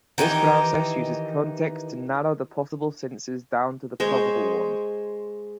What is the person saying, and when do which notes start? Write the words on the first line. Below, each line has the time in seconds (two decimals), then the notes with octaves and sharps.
This process uses context to narrow the possible senses down to the probable ones.
0.18 D#3 E3 D#4 G4
4.00 G#3 C5 C#5